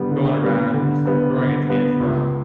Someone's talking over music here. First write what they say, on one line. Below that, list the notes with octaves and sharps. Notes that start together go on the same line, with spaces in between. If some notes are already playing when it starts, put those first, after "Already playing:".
going around and just, like, throwing a tantrum,
Already playing: D3 G3 B3
D3
G3 B3
D3
G3 B3
D3
G3 B3
C#2